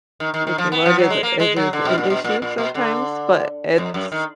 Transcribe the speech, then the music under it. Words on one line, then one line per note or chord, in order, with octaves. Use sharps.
Okay, well, it is a it is an issue sometimes, but it's
D#3
D#3
D#3
F3
B3
F3
F#3
G#3
A#3
G#3
F#3
D3
B2
A#2
B2
A#2
A#2
B2
D3
F2
F#2
D#3